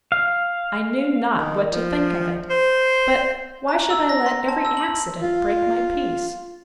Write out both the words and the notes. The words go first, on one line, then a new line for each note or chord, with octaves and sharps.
I knew not what to think of it!--But why should I let every accident break my peace?
F5
D#3
F3
C5
A#5
E6
A#6
C6
A5
E6
F#7
F4